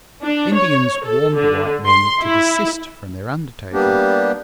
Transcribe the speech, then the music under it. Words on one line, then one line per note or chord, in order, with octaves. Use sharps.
Indians warned the white men to desist from their undertaking.
D4
C#5
A4
D3
C6
E4
G3 A#3 B3 D4 G4